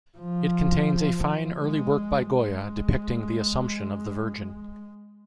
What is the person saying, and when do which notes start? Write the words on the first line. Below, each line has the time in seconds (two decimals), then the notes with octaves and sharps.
It contains a fine early work by Goya depicting the Assumption of the Virgin.
0.18 F3
1.59 G#3
2.29 G#3